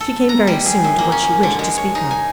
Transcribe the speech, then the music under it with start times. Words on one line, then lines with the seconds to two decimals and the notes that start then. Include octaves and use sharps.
She came very soon to what she wished to speak of.
0.01 A4
0.29 A#5
0.47 G3
0.66 G#4
0.84 F#2
0.99 A#3
1.12 C#4
1.43 D3
1.59 G#3
1.78 C#5
1.95 D#4
2.11 G#5